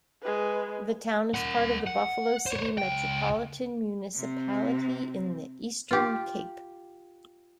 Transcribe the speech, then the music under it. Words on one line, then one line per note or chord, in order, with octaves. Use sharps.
The town is part of the Buffalo City Metropolitan Municipality in the Eastern Cape.
G#3 B4
A#4 F#5
F#5
C5 C#5
C#2 G5
C3 C4
F4 G4